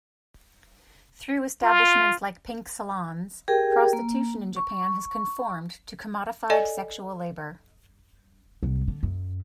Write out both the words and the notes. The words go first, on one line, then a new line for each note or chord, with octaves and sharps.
Through establishments like pink salons, prostitution in Japan has conformed to commodified sexual labor.
F4
G4 G#4 A#4 G5
A#3
C#6
A4 D5 D#5 G#5
C2 F#3
D3
F#2